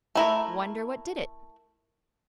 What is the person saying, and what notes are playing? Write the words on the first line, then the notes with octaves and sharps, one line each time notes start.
"Wonder what did it?"
A3 E4 A#4